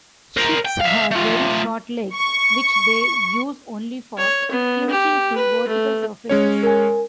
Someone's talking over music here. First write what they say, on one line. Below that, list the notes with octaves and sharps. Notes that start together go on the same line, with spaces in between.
Swifts have very short legs which they use only for clinging to vertical surfaces.
A#4 C5
G5
E5 F5
A3 F4
C#6
C#5
B3
G4
B4
A3
G#3 C#4 C#5
A#4 G#5